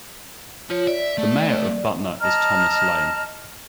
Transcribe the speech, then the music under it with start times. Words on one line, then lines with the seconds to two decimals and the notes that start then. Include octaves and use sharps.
The mayor of Butner is Thomas Lane.
0.70 F3 F4 C#5
0.87 D5 E5
1.18 A3
2.21 D#5 A5 A#5 F6